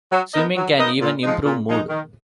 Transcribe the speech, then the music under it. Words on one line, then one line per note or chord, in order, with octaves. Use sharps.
Swimming can even improve mood.
F#3
B3 D#4 A#4 D#5
F#3
B3 D#4 A#4 D#5
A#2
F3 G#3 D#4
A#2
F3 G#3 D#4
D#3